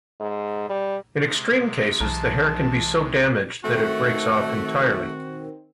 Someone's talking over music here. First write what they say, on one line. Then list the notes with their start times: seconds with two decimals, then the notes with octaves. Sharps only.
In extreme cases, the hair can be so damaged that it breaks off entirely.
0.20 G#2
0.69 G3
1.26 C3 G#3
2.01 B1 E3 A5 A#5
3.64 D#3 A3 C4 F#4